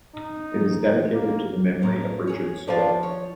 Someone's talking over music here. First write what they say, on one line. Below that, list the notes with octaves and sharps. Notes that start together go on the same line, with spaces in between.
It is dedicated to the memory of Richard Sohl.
D#4
A#3
A2 A#3
G#4 C#5
D#2 F3 D4 E4 F4
C#5